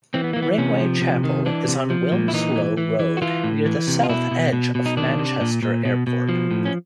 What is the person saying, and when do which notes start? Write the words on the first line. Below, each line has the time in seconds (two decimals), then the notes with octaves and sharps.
Ringway Chapel is on Wilmslow Road near the south edge of Manchester Airport.
0.14 E3 C4
0.24 B3
0.33 E3 A#3
0.42 B3
0.58 C3 C#4
0.80 F3
1.02 C3
1.24 D#3
1.46 E3 D4
1.68 C3
1.90 F3
2.12 A#2
2.28 E4
2.34 E3 D#4
2.56 E3
2.77 E3
3.00 E3
3.17 F#4
3.22 E3 F4
3.44 A2
3.66 E3
3.87 C3
4.03 F4
4.09 B2 E4
4.31 B2
4.53 B2
4.75 B2
4.86 D#4
4.97 D#3 D4
5.19 C3
5.41 A#2
5.63 A#2
5.85 B2
6.07 B2
6.29 F3
6.51 A2
6.65 C#4